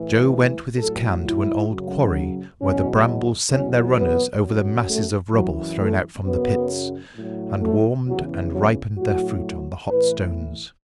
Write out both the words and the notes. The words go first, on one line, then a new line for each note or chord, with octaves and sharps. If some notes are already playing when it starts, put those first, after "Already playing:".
Joe went with his can to an old quarry where the brambles sent their runners over the masses of rubble thrown out from the pits, and warmed and ripened their fruit on the hot stones.
Already playing: A2 E3
A2 F#3 A4
E4
F#2 C#3 F#3
E2 B2 F#3 C#4
E2 B2 F#3 C#4
B3
F#2 F#3
A3
F#2 E3 F#3
A3
F#2 C#3 F#3 B3
A2 F#3
A3
E2 C#3 E3 F#3
F#3
A2 F#3 F#4
A2 E3 B4